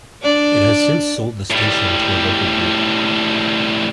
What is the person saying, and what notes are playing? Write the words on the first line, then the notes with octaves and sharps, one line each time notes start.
It has since sold the station to a local group.
D4 D5
A2 G3